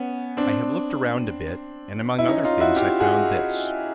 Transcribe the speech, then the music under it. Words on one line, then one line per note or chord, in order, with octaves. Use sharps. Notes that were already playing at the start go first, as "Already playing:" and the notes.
I have looked around a bit, and among other things I found this.
Already playing: B3 C#4
C4 D4
E4
C#4 D#4
D#4 F4
E4 F#4
F4 G4
F#4 G#4